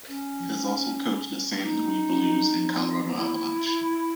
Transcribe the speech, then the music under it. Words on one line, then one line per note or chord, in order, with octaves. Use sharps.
He has also coached the Saint Louis Blues and Colorado Avalanche.
C#4
D#4
E4